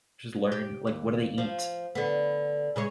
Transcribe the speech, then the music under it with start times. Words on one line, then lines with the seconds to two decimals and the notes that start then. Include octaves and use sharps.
Just learn, like, what do they eat?
0.52 G4
0.87 D#2
1.38 F3
1.95 D3 B3
2.76 C#3 G#3 C#5